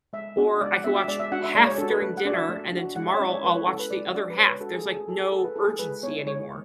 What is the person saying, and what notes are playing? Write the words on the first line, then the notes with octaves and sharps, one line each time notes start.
or I could watch half during dinner, and then tomorrow I'll watch the other half, there's, like, no urgency anymore.
G#3 E5
B3 D4 F#4
G#3 D5
F#5
B3 D4 F#4 E5
E5
G#3 D5
E5
D4 F#4 F#5
E5
G#3 D5
C#5
D4 F#4 A4
B4
A3
F#5
D4 F#4 D5 E5
A3
D4 F#4
G#3 F#5
E5
C#5
C#4 E4 D5
C#5
G#3 B4
C#5
C#4 E4 A4
B4
G#3 D5
D4 F#4 D5
B4
G#3 C#5
B4
D4 F#4 A4
G#4
A3 A4
G#4
E4 A4
G#4
A3 A4
B4
E4 A4
G#4
G#3 B4
B3 E4 C#5
G#3 C#5